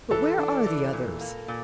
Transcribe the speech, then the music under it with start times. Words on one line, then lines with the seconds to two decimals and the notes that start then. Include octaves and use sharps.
But where are the others?
0.11 E3 A4
0.38 D4
0.66 E3
0.93 A#2
1.21 A#3
1.48 A#2